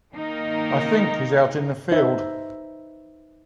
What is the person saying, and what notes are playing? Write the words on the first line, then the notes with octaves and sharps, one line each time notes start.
I think he's out in the field.
D#3 A#3 D#4 A#4
D#4 B4 C5 E5